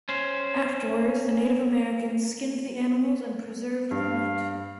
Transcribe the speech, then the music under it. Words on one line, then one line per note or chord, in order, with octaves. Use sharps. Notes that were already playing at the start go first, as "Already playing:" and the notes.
Afterwards, the Native Americans skinned the animals and preserved the meat.
C#4 C5
G2 F5